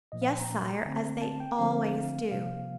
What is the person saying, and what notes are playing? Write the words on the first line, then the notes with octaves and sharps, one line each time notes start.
"Yes, sire, as they always do."
A#2 F3 A#3 D#5
F5
G5
A#5
D3 A3 C4
A5
G5
D3 F3 A3 C4 F5
C3 F3 A#3 F5